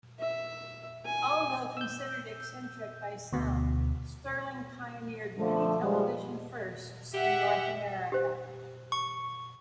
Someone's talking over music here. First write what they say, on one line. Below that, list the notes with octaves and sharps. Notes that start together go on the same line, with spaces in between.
Although considered eccentric by some, Stirling pioneered many television firsts in North America.
E5
G#5
E6 G6
D2 B2
D3 F3 A3
F3 G3 G#3
G4 E5 F#5
G4 C5
C#6